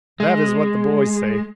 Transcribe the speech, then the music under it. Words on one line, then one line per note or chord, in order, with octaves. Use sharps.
That is what the boys say.
G#3